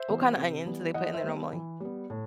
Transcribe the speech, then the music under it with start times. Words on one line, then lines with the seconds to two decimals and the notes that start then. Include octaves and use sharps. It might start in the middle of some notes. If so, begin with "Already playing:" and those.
What kinda onions do they put in there normally?
Already playing: C5 E5
0.08 E3 G3 B3
0.37 C3
0.65 E3 G3 B3
0.94 E3 D#5 F#5
1.13 C5 E5
1.23 G3 B3
1.53 E3
1.80 G3 B3
2.10 A2